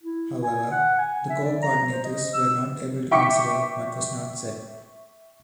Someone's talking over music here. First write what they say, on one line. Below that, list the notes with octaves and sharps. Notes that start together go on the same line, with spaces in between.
However, the co-coordinators were not able to consider what was not said.
E4
G#5
F#5
G#5
E5
D5
A#5
C5
D#5
E6
E5 G5 C#6 D6 B6 C#7